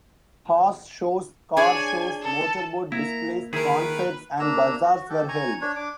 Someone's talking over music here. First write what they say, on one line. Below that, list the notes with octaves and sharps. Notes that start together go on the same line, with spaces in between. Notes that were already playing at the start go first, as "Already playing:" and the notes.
Horse shows, car shows, motor-boat displays, concerts, and bazaars were held.
D4 G#4 C#5 G#5
A4
A#3 E4 A#5
D#3 E4 G#4 A#4 B4
A#3 D4 A#5 E6
F#4
G4 A4
G#5 A#5 C#6
D4 C#5
D4 D6